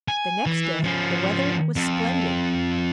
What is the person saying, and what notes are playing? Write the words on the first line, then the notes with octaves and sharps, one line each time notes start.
The next day the weather was splendid.
G#5
E3
F3 C#4
F2